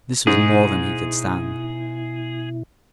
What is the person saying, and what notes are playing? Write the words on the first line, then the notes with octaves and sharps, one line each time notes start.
This was more than he could stand.
G#2 B2 E4 G#4